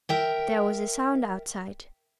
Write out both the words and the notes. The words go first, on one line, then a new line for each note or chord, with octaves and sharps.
There was a sound outside.
A#4 E5 G5